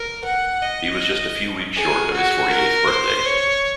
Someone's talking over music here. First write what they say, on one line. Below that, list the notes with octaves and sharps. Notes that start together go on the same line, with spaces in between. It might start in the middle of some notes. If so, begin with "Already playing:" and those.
He was just a few weeks short of his forty-eighth birthday.
Already playing: A#4
F#5
D#5
G#4
F#4
A#4
C5
C#5